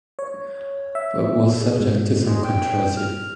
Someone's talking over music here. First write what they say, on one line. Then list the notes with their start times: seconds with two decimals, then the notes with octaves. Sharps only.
But was subject to some controversy.
0.19 C#5
0.95 E5
1.61 G#4
1.80 G#2
2.27 G#3
2.44 G5
2.97 F6